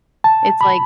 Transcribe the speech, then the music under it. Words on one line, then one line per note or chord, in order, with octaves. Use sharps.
it's like
A5
B5